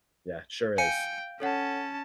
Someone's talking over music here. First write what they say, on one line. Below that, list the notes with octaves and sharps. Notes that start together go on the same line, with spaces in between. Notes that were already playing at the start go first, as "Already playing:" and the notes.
Yeah, it sure is.
F5 G5 G#5 C#7
C#4 A4 C#5 F#5 A5